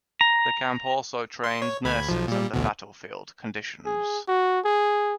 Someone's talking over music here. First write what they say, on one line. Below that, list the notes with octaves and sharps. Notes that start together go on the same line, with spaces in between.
The camp also trained nurses under battlefield conditions.
A#5
C6
C#5
D2 B5 G#6
B1 F3
A#2 G3
A1 D2 B2
G#4
F#4
G#4